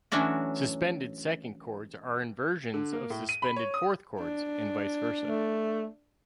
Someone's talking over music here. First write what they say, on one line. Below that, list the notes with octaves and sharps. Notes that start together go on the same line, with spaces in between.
Suspended second chords are inversions of suspended fourth chords, and vice versa.
E3 F#3 A3 C#4 D4 F#4
D3
A#3
A2
D#7
B5
C#5
D#6
D4
A3